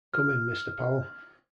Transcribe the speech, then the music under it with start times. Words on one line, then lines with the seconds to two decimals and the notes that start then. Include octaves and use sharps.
Come in, Mr. Powell.
0.14 F6